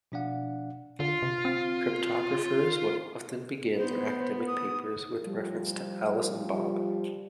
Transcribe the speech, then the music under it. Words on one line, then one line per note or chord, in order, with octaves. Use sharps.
Cryptographers would often begin their academic papers with reference to Alice and Bob.
B2 F3 D4 D5 F5 F#5
D3 F4
C3
C4
B3 C5
D#6
F3 G3